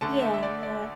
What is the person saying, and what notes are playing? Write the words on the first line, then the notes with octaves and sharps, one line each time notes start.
Yeah, yeah.
D2 D3 A3 A5
E5
E5
D5
D5